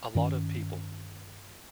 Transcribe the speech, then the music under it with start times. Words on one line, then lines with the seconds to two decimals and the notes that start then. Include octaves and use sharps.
A lot of people.
0.15 G2 D#3 C#4